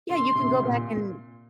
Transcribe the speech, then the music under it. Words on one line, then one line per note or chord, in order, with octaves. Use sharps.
Yeah, you can go back and
D3 C6
C3
A#2